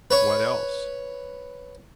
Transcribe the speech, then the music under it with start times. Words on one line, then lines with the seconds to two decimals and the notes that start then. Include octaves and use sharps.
"What else?"
0.11 B4 C#5